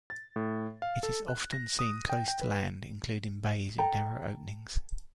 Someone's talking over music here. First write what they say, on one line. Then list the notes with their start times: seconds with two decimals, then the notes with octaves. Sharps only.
It is often seen close to land, including bays with narrow openings.
0.10 A6
0.36 A2
0.82 F5
1.03 A4
1.28 F#6
1.52 A#6
1.79 D#6
2.10 G5
2.28 G5
2.41 B4
3.78 A4 G5 A#5